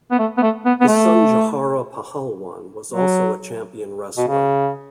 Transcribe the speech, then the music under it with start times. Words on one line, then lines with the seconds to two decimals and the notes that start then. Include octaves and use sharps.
His son Jhara Pahalwan was also a champion wrestler.
0.11 B3
0.19 A3
0.38 B3
0.42 A3
0.65 B3
0.81 B3
0.88 A3
2.92 F#3
4.17 B2
4.28 C#3